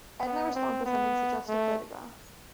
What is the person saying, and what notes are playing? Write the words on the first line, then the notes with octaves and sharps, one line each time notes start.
Edna responds by sending a suggestive photograph.
B3
C4
B3
A3